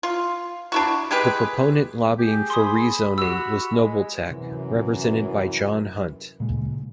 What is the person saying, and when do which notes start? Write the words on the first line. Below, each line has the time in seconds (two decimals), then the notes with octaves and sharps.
The proponent lobbying for rezoning was Nobletech, represented by John Hunt.
0.03 F4
0.72 D4 E4 F#4
1.11 G#3 G4 G#4 B4
2.18 G4 G#4
2.50 B5 C6 D#6
3.18 F#4 G4 E6
3.72 G#3
4.30 F#2 C3 E3
6.40 A#2 C#3 G#3